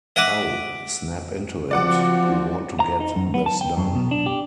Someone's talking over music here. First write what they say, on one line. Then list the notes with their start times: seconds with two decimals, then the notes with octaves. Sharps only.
Oh, snap into it! We want to get this done.
0.16 D#5 E5 F#5 D6
1.71 F3 C4 F#4 D5 F#5 D6
2.80 A#5
3.00 D#4
3.16 F#2
3.34 B3
3.46 A5
3.61 G5
3.77 F#2
3.95 B2
4.11 D4
4.26 G4